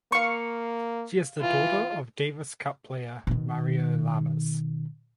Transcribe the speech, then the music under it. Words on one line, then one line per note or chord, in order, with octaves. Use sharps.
She is the daughter of Davis Cup player Mario Llamas.
A#3 F5 C#6
E3 F4
B2 D#3